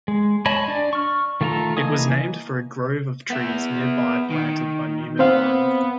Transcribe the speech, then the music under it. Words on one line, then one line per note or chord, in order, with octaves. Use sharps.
It was named for a grove of trees nearby planted by Newman Warren.
G#3
C#5 D#5 G#5 A5 B5
D4 D5
C#6 F6
D#3 A3 F4 A4 A#5
E3 A#3 D#5 G#5 D#6
B3 E5
D#3
B3 C4 C5 F5